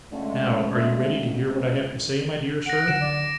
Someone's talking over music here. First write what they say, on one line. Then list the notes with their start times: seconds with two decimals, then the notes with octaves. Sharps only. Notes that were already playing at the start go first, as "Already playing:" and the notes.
Now, are you ready to hear what I have to say, my dear Sir?
0.13 C#2 D3 G#3 A3
2.66 F#5 A#6 D7
2.87 C2 D3 D7 E7
3.01 D5